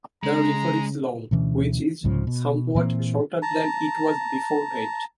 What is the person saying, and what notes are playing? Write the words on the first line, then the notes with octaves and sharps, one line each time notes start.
The river is long, which is somewhat shorter than it was beforehand.
C#3 G#3 A#5
D2 B2 E3 C#4
C2 G#2 C#3 F3
B2
A#2 E3 A#3 C4
A5 A#5